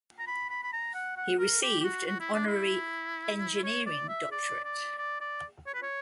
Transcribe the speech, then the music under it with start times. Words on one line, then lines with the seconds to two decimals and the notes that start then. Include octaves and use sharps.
He received an honorary Eng.D.
0.19 A#5
0.27 B5
0.50 B5
0.64 B5
0.73 A#5
0.95 F#5
1.17 F#5
1.39 A#4
1.62 G4
1.80 G4
1.84 F#4
2.07 F#4
2.20 E4
2.34 D4
2.47 E4
3.64 C#5
3.86 D5
4.09 E5
4.32 D5
4.65 D5
4.98 D5
5.21 D5
5.67 C#5
5.74 B4
5.83 C#5